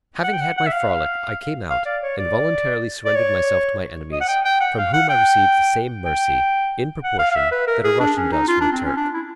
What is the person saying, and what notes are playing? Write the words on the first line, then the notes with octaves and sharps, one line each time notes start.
Having had my frolic, I came out, and voluntarily surrendered myself to my enemies, from whom I received the same mercy, in proportion, that a Russian does from a Turk.
F#5
G5
F#5
F#5
E5
F5
F5
D5
C#5
D5
D5
C#5
D#5
F#5
G5
G5
F#5
F5
F#5
G5
G5
F#5
F5
F5
E5
B4
A#4
G#4
D4
C#4
D#4
F4
D4
C4
C#4
D4
E4